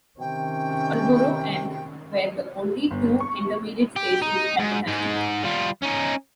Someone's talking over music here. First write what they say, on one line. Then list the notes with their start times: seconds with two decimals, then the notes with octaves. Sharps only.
Pulborough and were the only two intermediate stations at the time.
0.19 C3 D#3 C#4 G5
2.91 G1
3.20 C#6
3.96 G4
4.22 D#4
4.59 G#2
4.87 G#2 G#3
5.43 G3 F4
5.83 C#4 D#4